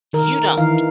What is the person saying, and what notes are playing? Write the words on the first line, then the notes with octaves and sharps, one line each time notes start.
You don't.
D#3 A#4
D#3 E3 F5